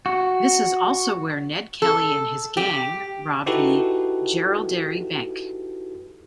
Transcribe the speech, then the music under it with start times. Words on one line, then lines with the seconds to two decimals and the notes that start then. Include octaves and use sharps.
This is also where Ned Kelly and his Gang robbed the 'Jerilderie Bank'.
0.06 F#4
1.82 A4
2.57 G4
3.46 D#4 E4 F#4 G4 A4 B4